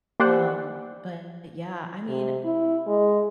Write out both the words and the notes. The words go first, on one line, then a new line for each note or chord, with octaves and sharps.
Um, but yeah, I mean,
A#3 G4 C5 D5 F#5
C3
E4
G#3